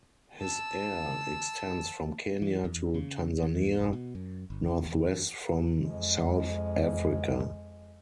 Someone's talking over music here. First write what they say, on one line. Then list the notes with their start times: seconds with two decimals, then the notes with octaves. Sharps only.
His air extends from Kenya to Tanzania, northwest from South-Africa.
0.41 A5 E6
2.42 E3
2.64 E2
2.94 C#3
3.42 E2
3.79 F1
3.93 B2
4.15 F#2
4.50 G1
4.68 C4
4.86 E2
5.85 F2 G#3